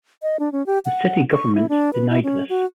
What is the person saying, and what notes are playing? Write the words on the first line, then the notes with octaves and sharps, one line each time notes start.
The city government denied this.
D#5
D4
C#4
G4
F#5
C#6
E4
D4
B4
E4
C#4
F#4